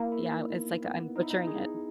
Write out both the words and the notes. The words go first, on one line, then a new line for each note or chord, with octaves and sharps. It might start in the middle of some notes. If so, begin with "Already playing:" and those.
Yeah, w it's like I'm butchering it,
Already playing: A#3 E4
E4
D#4
B3
B3
D#4
E4
D#4
G#4